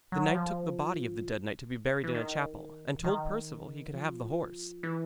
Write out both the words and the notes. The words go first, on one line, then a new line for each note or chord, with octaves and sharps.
The knight took the body of the dead knight to be buried in a chapel, and told Perceval he could have the horse.
F#3
F3
E3
D#3
D#3
F3
E3